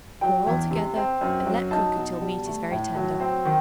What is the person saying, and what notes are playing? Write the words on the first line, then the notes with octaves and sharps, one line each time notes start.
Pour all together and let cook until meat is very tender.
F#3 G5
E2
C3
C4
F#2
F#3
D#4 A5
B2
G3
A3
A2
F#3
C4
D#3